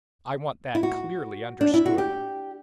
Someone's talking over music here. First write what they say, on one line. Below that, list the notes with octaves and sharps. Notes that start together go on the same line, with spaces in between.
I want that clearly understood.
E4
F#4
D4
E4
F#4
G4